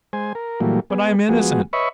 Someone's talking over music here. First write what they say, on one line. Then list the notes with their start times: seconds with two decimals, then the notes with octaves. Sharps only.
"But I am innocent."
0.13 G#3 C5 G#5
0.35 A#4
0.60 A#2 E3 F#3 G3 A3 A#3
0.90 B3 G#4
1.29 F3 G#3 B3 F#4 G#4
1.73 B4 C#5 D#5 E5 B5 C#6